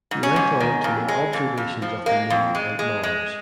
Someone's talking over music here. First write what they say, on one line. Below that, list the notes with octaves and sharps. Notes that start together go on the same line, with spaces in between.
He went on to make observations of the Moon and Mars.
G#2
C#4
G#2
D#3
F2
G#3
F2
F2
F3
G#3 A#3
F2
G#3
G#3
G#3